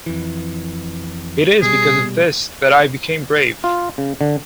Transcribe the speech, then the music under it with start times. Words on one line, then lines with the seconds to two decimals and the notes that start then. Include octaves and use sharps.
It is because of this that I became brave!
0.06 F2 E3
1.62 B2 G3 G#4
3.64 F4
3.98 C#3
4.21 D3